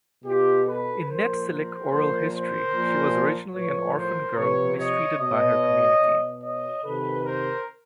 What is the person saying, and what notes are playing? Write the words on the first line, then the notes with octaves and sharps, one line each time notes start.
In Netsilik oral history, she was originally an orphan girl mistreated by her community.
B2 F4 G4
A4 B4
A#2 F3 A#4 C5
A#4 C5
A#2 F3 A#4 C5
A#4 C5
A#2 F3
A2 F3 B4 C#5
A#4 C5
C3 F3 B4 C#5
C#5 D#5
B2 C#5 D#5
B2
C#5 D#5
C3 D#3 A4 B4
A#4 C5